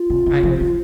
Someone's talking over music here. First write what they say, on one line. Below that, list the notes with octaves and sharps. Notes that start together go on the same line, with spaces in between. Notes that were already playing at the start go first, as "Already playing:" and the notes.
kind of
Already playing: F4
C3
C#3
F3
D#3